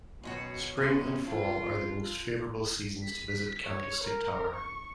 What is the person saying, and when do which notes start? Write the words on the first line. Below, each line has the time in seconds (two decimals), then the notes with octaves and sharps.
Spring and fall are the most favorable seasons to visit Candlestick Tower.
0.23 F#2 B2 D#3 F#4 C#5
0.77 B2 G#3 B3 C#4
1.27 F2 F4
3.04 B6
3.66 C#5
4.04 A#4
4.56 C#6